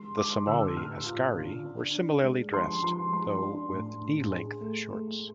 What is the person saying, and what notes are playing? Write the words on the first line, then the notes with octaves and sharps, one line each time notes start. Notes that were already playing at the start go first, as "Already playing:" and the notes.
The Somali ascari were similarly dressed, though with knee length shorts.
Already playing: G#3 C6
G#3 D6
D3 E6
A2 F6
F4
D4
D4
D4
G#3
F3 C6
F3 C6
G#3 C6
D4
A2
A2
G#4
A3
A3